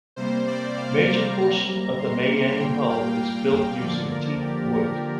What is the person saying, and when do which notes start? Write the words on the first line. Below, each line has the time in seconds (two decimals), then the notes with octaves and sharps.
Major portion of the mayang hull is built using teak wood.
0.16 C3 G3 A#3 C5
0.47 D5
0.77 F5
1.08 A#5
1.38 C3 G3 A#3 A#5
1.98 C6
2.60 A#2 G3 A#3 G5
2.90 F5
3.81 D3 F3 A#3 D5
4.11 A#4
4.41 G4
4.72 A#4